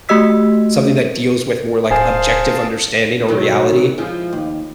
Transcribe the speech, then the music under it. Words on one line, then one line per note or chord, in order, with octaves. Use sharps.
something that deals with more, like, objective understanding or reality,
A3 F#4 G4 D#5 E6 B6
D1 G#4 C5 F5 G#5 A5
B2 D#3 F#3
F3 G#3 E4
D#2